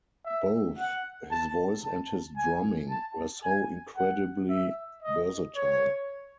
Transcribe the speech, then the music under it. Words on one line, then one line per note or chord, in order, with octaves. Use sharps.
Both his voice and his drumming were so incredibly versatile.
E5
F#5
A5
A5
G#5
A5
G#5
F#5
E5
D#5
C#5